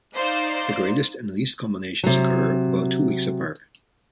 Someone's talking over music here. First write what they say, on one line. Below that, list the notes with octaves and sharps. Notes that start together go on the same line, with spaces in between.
The greatest and least culminations occur about two weeks apart.
D#4 C5 D5 F5
C3 F#3